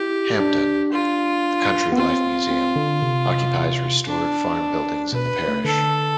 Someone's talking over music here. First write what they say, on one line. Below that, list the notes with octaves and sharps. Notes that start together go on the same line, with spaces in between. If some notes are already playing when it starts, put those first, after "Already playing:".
Hamptonne, the Country Life Museum, occupies restored farm buildings in the parish.
Already playing: E4 G4
D4
F4
B3
C4 F4
C4
D3
C3
D4
B2 B4
A3
D3 A4